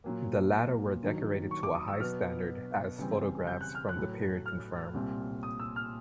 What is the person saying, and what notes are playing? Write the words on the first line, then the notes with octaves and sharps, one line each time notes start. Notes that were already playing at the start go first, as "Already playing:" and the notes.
The latter were decorated to a high standard, as photographs from the period confirm.
A#2 F#3 A#3
G2 D#3 F#3
C#6
D6
D#6
E6
B2 F#3 B3 F6
F#2 C#3 E3 G3 C4
G6
F#6
F6
F#6
A2 F#3 A3
F6
C2 A#2 G3 C4
D#6
E6
F6